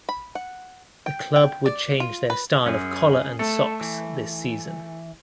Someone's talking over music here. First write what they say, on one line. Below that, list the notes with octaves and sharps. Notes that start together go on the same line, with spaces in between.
The club would change their style of collar and socks this season.
B5
F#5
G5
G5
D5
F4
B4
F#2 C#4 G#4
A3 A4
E3